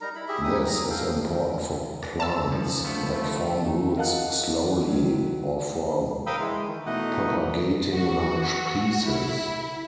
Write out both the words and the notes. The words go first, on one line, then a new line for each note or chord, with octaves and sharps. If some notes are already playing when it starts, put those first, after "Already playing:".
This is important for plants that form roots slowly, or for propagating large pieces.
G3 D#4 A#4 A#5
E4 B5
E4 G4 G#4 E5
D#4 G4 D#6
F#3 G#4 A#5
A4 F5 G5
A5 E6
F#2 D#3 F3
D3 F3 A3 B3
A3
A#4 D#5 F5 F#5 A5 F#6
D3 D#3 F#3
A#4 F5 G5 B5 D#6 E6
E3 G#3
D#3
B2 E3 A3 D#4 D#5 F#5
F#4
E4